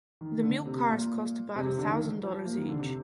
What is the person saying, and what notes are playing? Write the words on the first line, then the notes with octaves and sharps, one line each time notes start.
The milk cars cost about a thousand dollars each.
D#3
D3
C3
A#2
C3
C3
D3
D#3
F3
A#3
D#3
D3
C3